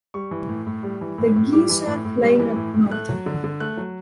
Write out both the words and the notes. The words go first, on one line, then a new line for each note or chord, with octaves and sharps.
The geese are flying up north.
G3 C#6
E3
A2
A2
G3
E3
A2
A2
G3 D6
E3
A2
A2
G3
E3
A2
A2
A3 F#6
F#3
D3
D3
A3 F#6
F#3